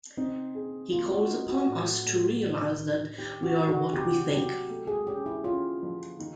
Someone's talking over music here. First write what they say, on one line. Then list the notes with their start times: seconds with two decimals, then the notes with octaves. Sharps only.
He calls upon us to realize that "we are what we think".
0.17 C4 D#4
0.55 G#4
0.92 A#3 F4
1.12 F#4
1.30 D#4
1.49 F#4
1.68 A2
2.06 A2
2.43 D4
2.80 D4
3.18 D#3 G4
3.43 F#4
3.56 D#3
3.68 F#4
3.93 C3 G4
4.31 F#3 G4
4.70 A3
4.87 G#4
5.07 C#4 G4
5.26 E4
5.44 C#4 F4
5.83 F3
6.20 D#3